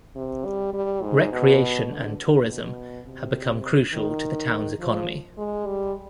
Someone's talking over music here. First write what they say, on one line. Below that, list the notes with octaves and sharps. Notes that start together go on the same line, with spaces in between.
Recreation and tourism have become crucial to the town's economy.
C3
G3
G3
G#2
B2
D3
B2
C3
D#3
F3
G#3
G3